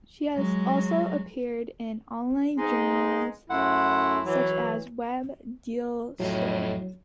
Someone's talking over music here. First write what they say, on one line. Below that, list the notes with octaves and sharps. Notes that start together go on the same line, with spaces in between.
She has also appeared in online journals such as "Web Del Sol".
F#3 G#3
G#3 B3 C4 D#4
F#2 A3 E4 F#5 C6
E3 F#3
F2 A2 F#3 F4 D#5